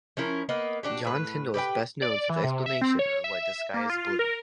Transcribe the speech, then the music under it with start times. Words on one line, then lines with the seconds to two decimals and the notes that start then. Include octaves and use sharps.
John Tyndall is best known for the explanation of why the sky is blue.
0.17 F3 C#4 E4 A#4
0.49 A#3 B3 D#5
0.83 D4 F#4 G4
1.04 A2 B4
1.54 G4 B4 D5 G5
2.02 D5
2.30 E3
2.44 C3
2.66 E5
2.81 C4
2.99 C#5
3.24 E5
3.74 A#3
3.90 F4
4.19 A#4